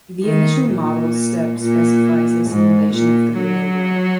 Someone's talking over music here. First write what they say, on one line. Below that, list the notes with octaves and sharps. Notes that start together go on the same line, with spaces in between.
The initial model step specifies a simulation of the real world.
D#3
A#2
A#2
G#2
A#2
F#3